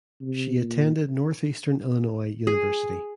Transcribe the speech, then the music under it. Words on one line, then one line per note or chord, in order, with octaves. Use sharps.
She attended Northeastern Illinois University.
C3
A#2
G#4